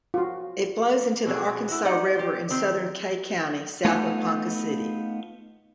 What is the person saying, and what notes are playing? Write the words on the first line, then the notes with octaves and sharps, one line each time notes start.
It flows into the Arkansas River in southern Kay County, south of Ponca City.
F4 F#4
B2 C4 F#4 G#4
E4 F#4
D#4 G4 D5 D#5 F#5
G4 C5
D#3 C4
A3 B3 D#4 F4